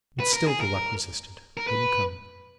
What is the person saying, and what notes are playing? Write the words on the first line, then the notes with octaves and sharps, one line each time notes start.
But still the luck resisted; wouldn't come.
B4
A#4
G#4
A#4
A#4
B4